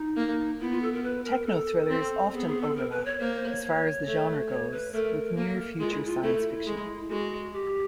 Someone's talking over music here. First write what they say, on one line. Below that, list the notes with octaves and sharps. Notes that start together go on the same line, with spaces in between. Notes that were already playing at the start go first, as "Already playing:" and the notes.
Techno-thrillers often overlap, as far as the genre goes, with near-future science fiction.
Already playing: D#4
A#3
B3 E4
F4
A4
A#4
B4
A#4
A4
C4
B3 G#4
G#4
A4
A#4
B4
C#5
A#3 C5
C5
C#5
C#5
A3
C#5
B4
A3 A#4
A#3
G#3 F4
E4
F4
A3 E4
G#3
G#3 F#4
G4